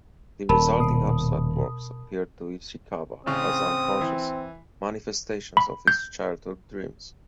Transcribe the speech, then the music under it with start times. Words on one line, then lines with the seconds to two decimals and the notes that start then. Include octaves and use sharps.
The resulting abstract works appeared to Ishikawa as unconscious manifestations of his childhood dreams.
0.49 D#1 A#4 A5 B5
0.80 B2 D#6
3.26 A1 C#3 C4 D#6
4.01 E3
5.57 B5
5.88 G6